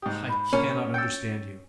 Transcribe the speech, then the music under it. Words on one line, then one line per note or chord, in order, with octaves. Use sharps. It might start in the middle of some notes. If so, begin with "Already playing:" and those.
"I cannot understand you!"
G#2 G4 D#6
B5
A#2 C#4
G5 E6 A6 C#7 D7